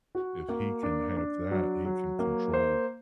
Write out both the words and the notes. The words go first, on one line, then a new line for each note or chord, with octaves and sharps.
if he can have that, he can control
F#4
A#3
D4
D4
F#3
F#3
A#3
C5